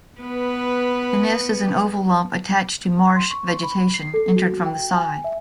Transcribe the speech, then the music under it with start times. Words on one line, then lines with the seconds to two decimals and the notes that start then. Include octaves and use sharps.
The nest is an oval lump attached to marsh vegetation, entered from the side.
0.21 B3 B4
3.16 C6
3.31 C#6
3.63 B5
3.94 C7
4.14 A4
4.36 F#4
4.66 G5
4.96 G#5
5.24 E5